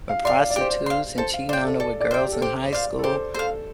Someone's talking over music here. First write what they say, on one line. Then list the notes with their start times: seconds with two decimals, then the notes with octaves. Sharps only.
with prostitutes and cheating on her with girls in high school,
0.09 F5
0.25 D5 F5 C6
0.40 F5
0.50 D5
0.56 G4
0.61 C5
0.71 D5
0.86 F5 C6
1.18 A4 C5
1.33 F5
1.49 C5 D5 G5
1.64 A4
1.80 A4 D5
2.01 D5
2.11 C5 G5
2.21 G4
2.32 A4
2.41 G4 C5
2.72 C5 D5 F5
2.99 A4
3.04 G4 C5
3.34 A4 C5 F5